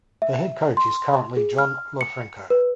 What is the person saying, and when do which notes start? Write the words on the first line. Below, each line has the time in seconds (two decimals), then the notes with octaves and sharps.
The head coach is currently John Lofranco.
0.22 E5
0.77 C6
1.37 G#4
1.58 F6
2.01 C#7
2.50 B4